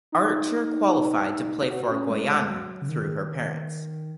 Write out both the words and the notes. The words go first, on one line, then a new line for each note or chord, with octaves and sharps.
Archer qualified to play for Guyana through her parents.
D#4
F#4
C#4
G#3
G#3
F#3
C#3
D#3